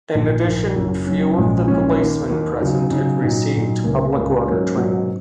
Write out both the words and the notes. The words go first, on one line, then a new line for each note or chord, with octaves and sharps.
In addition, few of the policemen present had received public order training.
A#1 A#2 A#3 D#4
A#1 A#2 A#3 D#4
F#1 F#2 F#3 C#4
F#1 F#2 F#3 C#4
A#1 A#2 G#3 C#4
A#1 A#2 G#3 C#4
D#2 D#3 A#3
D#2 D#3 A#3
C#3 F#3 D#4
C#3 F#3 D#4
A#2 F#3 D#4
A#2 F#3 D#4
C#2 C#3 A#3
C#2 C#3 A#3
G#2 D#3 F#3 A#3 C#4
G#2 D#3 F#3 A#3 C#4